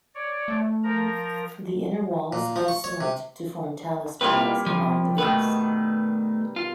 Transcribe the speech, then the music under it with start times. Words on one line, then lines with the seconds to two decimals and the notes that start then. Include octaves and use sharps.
The inner walls have slumped to form talus piles along the base.
0.15 C#5 D5
0.48 A3
0.84 F3 A#4 A#5
2.33 A#2
2.56 F3
2.68 C#6
2.84 C#5
3.01 C3
4.21 G3 A#3 C4 E4 F4 B4
4.66 F3
5.18 B2 D#3 A3 B4
6.56 F4